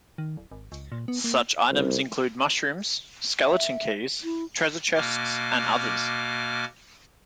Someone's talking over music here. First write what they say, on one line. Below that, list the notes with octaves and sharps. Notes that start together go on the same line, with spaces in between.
Such items include mushrooms, skeleton keys, treasure chests, and others.
D#3
D1
G#1
C#2
A#2
B3
A#3
C2
E5
E4
B2 A#3 D6 F6